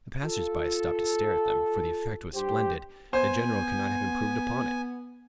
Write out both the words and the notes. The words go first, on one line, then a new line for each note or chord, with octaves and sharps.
The passers-by stopped to stare at them, for the effect was splendid--the General could not have improved upon it.
F4 A4
G2 G4 C5
B3 C5 G#5